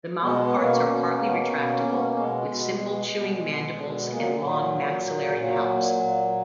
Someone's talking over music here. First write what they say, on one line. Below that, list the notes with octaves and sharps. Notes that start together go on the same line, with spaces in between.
The mouthparts are partly retractable, with simple chewing mandibles and long maxillary palps.
B2 G#3 B3
B3
B2 A#3 C#4
B2
B2
B2
B2
B2 G#3
B2
B2
B2
B2
B2
A#2 G#3
F#3
A#2 F#3
A#2
A#2
A#2 F#3
A#2
A#2